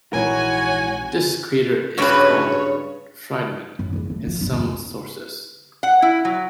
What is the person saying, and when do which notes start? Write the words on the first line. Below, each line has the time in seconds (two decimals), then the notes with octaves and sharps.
This crater is called Friedmann in some sources.
0.13 A#1 G#2 E3 C4 F#4 A#4 C#5 G#5
1.98 G2 C#3 F#4 B4 C#5 G5
3.79 F#2
3.93 C#3 E3
4.10 A3
4.27 F3
4.41 F1 B3
4.53 C4
5.83 F#5
6.02 E4
6.25 F#3